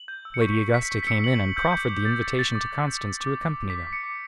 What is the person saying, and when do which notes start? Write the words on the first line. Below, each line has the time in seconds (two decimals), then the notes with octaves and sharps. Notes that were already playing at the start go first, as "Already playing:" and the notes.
Lady Augusta came in and proffered the invitation to Constance to accompany them.
Already playing: F#7
0.08 G6
0.25 E6
0.34 C#7
0.41 C#6 B6
0.58 C#6
0.74 C#6 B6
0.91 C#6
1.03 B6
1.07 E6 C#7
1.24 C#6 F#7
1.40 C#6 F#7
1.56 E6 G6
1.72 D6 G6
1.90 D6
2.05 D6 A6
2.22 D6
2.39 G6 A6
2.55 D6
2.71 G6
2.87 G6
3.05 D6
3.21 D6
3.38 D6
3.54 D6
3.70 D6 B6
3.87 D6
3.93 C#7
4.03 D6